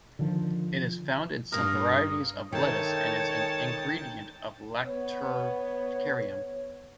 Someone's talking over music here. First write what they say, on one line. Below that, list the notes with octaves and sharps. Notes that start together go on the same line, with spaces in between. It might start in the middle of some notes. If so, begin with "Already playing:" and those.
It is found in some varieties of lettuce and is an ingredient of lactucarium.
D3 D#3 F3
G2 A#3 A#4 D#6
D#3 G#3 A3 C#5 G5 A5
B3 C#5